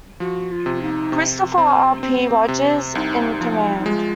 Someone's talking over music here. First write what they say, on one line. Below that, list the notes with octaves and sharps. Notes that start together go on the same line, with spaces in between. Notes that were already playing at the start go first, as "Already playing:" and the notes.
Christopher R. P. Rodgers in command.
F3 F#4
F4
C3
D#4
C3
C4
C4
C3
C2 D#4
F3
D#4
G#3 F4